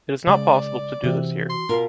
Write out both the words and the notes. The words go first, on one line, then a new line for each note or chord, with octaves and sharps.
It is not possible to do this here.
C#3 G#3 D5
C3 E3 F#4
C6
B2 F4 A#4